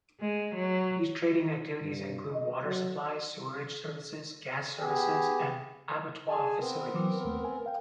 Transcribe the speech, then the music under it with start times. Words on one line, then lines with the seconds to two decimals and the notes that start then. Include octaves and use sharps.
These trading activities include water supply, sewerage services, gas services and abattoir facilities.
0.21 G#3
0.55 F#3
1.82 G2
2.32 D#5
2.65 F#3
4.79 B3 G4 G#4
6.28 G#4 G#5 A5
6.59 B3 C4 A#4
6.94 E3 F#3 D6
7.25 D#2 A3
7.44 G#5
7.66 F5 G5